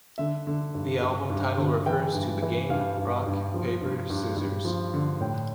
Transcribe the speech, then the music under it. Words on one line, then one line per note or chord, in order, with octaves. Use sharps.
The album title refers to the game rock-paper-scissors.
D3 E5
D3
G2
G2
G2
D3
E3 G5
G2
E3
G2 F5
G2
G2
F3
G2
G2
G2
F3
D3
A2 G5